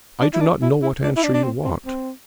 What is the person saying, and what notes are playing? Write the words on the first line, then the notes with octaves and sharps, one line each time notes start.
'I do not know what answer you want.
D4
E4
D4
E4
E4
D4
E4
D4
D4
C4
C4
C4